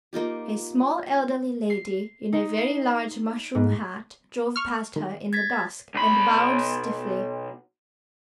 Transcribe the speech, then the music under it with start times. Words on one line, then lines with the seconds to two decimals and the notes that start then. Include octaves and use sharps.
A small, elderly lady, in a very large mushroom hat, drove past her in the dusk and bowed stiffly.
0.13 A#3 D#4 F4 G4
1.70 C7
2.33 D#4
2.58 C7
3.55 G#2
4.56 C#6 F6
4.96 D#3
5.33 G#6 A6 B6
5.94 B1 B5